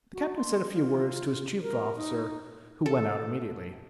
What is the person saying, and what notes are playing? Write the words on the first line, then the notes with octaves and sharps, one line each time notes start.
The captain said a few words to his chief officer who went out immediately.
F#4
C6
F4
A#4
D#4
A4